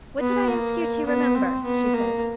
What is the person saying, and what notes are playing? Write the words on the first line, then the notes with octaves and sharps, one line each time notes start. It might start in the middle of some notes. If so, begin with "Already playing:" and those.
"What did I ask you to remember?" she said.
B3
A#3
B3
C4
B3
A#3